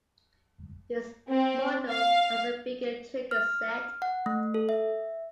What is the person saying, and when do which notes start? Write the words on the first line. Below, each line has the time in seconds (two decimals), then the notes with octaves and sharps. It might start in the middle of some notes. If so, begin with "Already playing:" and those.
This model has a bigger trigger set.
1.30 C4
1.90 F5
3.31 F6
4.02 F#5
4.26 A3
4.54 A4
4.69 E5